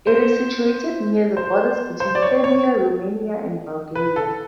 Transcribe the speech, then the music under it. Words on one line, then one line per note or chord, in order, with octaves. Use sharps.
It is situated near the borders between Serbia, Romania and Bulgaria.
C5
C5
C5
D5
C#5
C#5
B4
A4